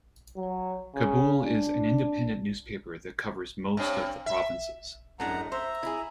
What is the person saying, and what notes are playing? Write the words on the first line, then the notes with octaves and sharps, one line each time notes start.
Kabul is an independent newspaper that covers most of the provinces.
F#3
C#3
D4
G2 C4
E5
F#2 A2 G#3 D4 F#5 A#5
C5 E5 A#5
E4 G#4